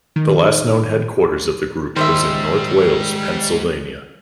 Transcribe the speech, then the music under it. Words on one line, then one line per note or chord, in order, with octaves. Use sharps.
The last known headquarters of the group was in North Wales, Pennsylvania.
D#3
G#2 D#3 G3 C5 D#5 E5